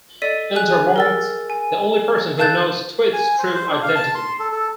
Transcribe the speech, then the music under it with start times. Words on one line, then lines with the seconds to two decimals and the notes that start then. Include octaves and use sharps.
Enter Monks - the only person who knows Twist's true identity.
0.22 A4 D5 D#5 B6 D#7
0.55 G#4 G#5 F#6
0.96 A#4 E6 A6
1.50 G#5
2.38 A4 F5 A5 F#6 G6 A6
3.13 G#5
3.39 C5
3.54 C5
3.69 D4
3.82 F5
3.96 A5
4.15 C6
4.40 A4
4.52 A4